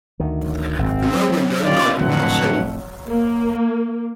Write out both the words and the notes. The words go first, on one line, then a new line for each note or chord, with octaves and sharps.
The lower windows I could not see.
D2 D#3
G#1 F#2 C4
F#3
D#2 C#4 F4 D5
F2 A2 D3 E3 F#3 C4 F#5
A#3